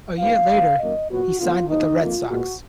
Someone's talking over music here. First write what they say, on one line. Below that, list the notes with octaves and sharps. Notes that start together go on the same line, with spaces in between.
A year later, he signed with the Red Sox.
G#2 F3 B3 F5
D#2 D3 F3 A#3
F#2 D#3 A#3 D#5
A#2 F#3 B3 F#4
D2 D3 F3 B3 F4
D#2 D3 F3 D#4
F2 D#3 A#3 F4
A#2 G#3 B3 F#4